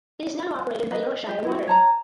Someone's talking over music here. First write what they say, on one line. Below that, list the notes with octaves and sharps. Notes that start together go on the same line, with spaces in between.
It is now operated by Yorkshire Water.
B4 D#5
G4
E4 F#4
C#5 A5 A#5